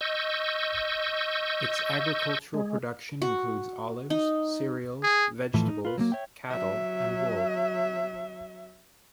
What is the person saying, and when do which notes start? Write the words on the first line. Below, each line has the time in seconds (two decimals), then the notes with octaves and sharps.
Its agricultural production includes olives, cereals, vegetables, cattle and wool.
0.01 D#5 C#6 E6 G6
2.54 G#3
3.22 F#4
4.10 D#4
5.03 G#4
5.54 A2 E3 F3 A3 A4
5.68 D#4
5.85 F4 B4
5.98 F#3 G3 A#3
6.12 C#5 E5 G5
6.50 F#3 E5